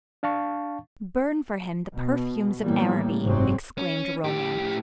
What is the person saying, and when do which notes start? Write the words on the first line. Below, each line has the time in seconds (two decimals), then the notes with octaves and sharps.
Burn for him the perfumes of Araby! exclaimed romance.
0.23 D4 F5 A5 C#6
1.94 B2
2.62 A2 E3 G3 A#3 B3
3.24 F#1 G#2 C3 F#3 C4
3.78 C#4
4.25 A2 G4